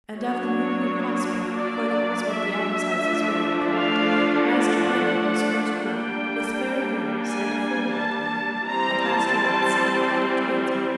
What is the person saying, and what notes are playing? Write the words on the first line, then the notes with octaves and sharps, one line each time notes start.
And of the Mohune Hospital--for that was what the alms-houses were now called--Master Glennie was first warden, with fair rooms and a full library, and Master Ratsey head of the Bedesmen.
F#3 A#3 D4 C#5
D5
E5
F3 A3 D4
F5
F#5
G3 A#3 D4 G5
G#5
A5
E3 G3 C4 A#5
A5